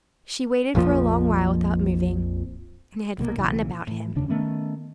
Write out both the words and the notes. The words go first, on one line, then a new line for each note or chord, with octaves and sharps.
She waited for a long while without moving, and had forgotten about him.
A#1 F2 A#2 F3
B1 B2 G3 A#3
B1 A#2 C#3 E3
A2 E3
F1 D#2 C#3 D4
D#3 A3 B3 C#4